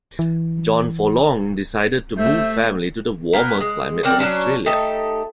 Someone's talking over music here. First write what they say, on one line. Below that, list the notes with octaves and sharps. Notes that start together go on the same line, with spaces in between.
John Forlonge decided to move the family to the warmer climate of Australia.
E3
C3 A3 C5 E5
A#3 B3 A#4
G#3
C4 A#4 D5 F#5
F#3 B3 C#4 D4
A3 D#4 G4 A4